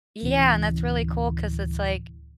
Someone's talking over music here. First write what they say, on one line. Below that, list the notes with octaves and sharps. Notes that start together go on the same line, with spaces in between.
Yeah, and that's really cool 'cause it's like
D1 C3 E3 C#4